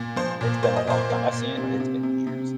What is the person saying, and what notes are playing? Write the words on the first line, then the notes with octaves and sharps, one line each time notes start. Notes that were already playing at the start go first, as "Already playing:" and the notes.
It's been a long time. I've seen it, but it's been years.
Already playing: A#2
F3 C5
A#2
A#3 C5
D#5
A#2 C5
A#3
A#2
C3
C3
C3
C3